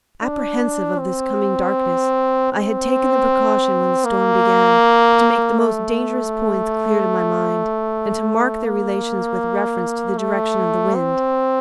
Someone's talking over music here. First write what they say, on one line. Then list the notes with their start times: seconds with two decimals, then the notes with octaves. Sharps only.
Apprehensive of this coming darkness, I had taken the precaution, when the storm began, to make the most dangerous points clear to my mind, and to mark their relations with reference to the direction of the wind.
0.23 D4
0.99 C4
2.53 C4
4.06 A#3
5.59 A3
8.65 A#3
10.18 A3
10.95 C4